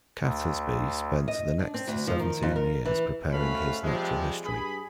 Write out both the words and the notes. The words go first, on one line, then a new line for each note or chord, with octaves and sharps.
Catesby spent the next seventeen years preparing his "Natural History".
D2
D#5
D4
C4
D2
F3
D#3
F2
A#4
E3
G#2 A3 C#4 F#4 F5 B5
C3 F3 G3 G#3
G2 G#4 B5